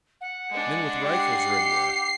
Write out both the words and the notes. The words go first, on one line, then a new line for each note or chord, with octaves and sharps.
Men with rifles are in there.
F#5
G#3 D4
G4 C7